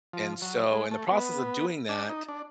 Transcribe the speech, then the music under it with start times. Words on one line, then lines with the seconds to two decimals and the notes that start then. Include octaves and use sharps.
And, so, in the process of doing that,
0.13 F3
0.42 F#3
0.72 G#3
0.91 A3
1.11 B3
1.89 D4
2.09 D#4
2.29 D4